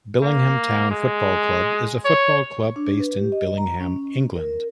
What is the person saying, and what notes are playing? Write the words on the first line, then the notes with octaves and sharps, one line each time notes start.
Billingham Town Football Club is a football club based in Billingham, England.
A#3
G#3
C#5
D4
B4
G4
D#5
A#5
C#4
A#4